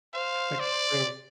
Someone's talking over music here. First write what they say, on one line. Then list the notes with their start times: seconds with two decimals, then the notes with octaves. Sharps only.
Like, so
0.14 C5 F5
0.60 D5